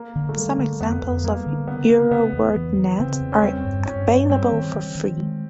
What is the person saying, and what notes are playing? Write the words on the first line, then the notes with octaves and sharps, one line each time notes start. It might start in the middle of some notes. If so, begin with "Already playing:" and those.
Some examples of EuroWordNet are available for free.
Already playing: A#3
D3
A3
G3 A#3
D3
F2 B3
F2
G3 A#3
D3
C#3 B3
C#3
C#3 B3
E2
E3
E3
C#3 C4
E2
C#4
G3 C4
G2
G2 C#4
G2
G3 C4
D#3
D#3
D#3
G#3